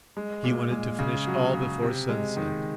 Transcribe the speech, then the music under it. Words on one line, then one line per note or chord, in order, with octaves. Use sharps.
He wanted to finish all before sunset.
G#3
A#2
G#3
C#3
F#3
C#3
C3
G#3
D#3